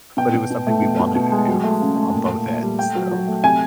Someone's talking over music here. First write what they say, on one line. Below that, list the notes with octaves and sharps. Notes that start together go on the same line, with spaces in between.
but it was something we wanted to do on both ends, so
B2 G5
B2
B2
A3
B2
B2
B2
G#3
F#3
A3
C#3
A3
A#2
A#2
A#2
G3
A3 G5
F#3
F#3
A3
C3 G#5